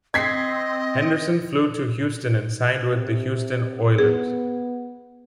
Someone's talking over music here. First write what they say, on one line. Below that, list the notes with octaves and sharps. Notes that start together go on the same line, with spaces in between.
Henderson flew to Houston and signed with the Houston Oilers.
C4 D#5 G#6 B6 C7
C3
B3 G#4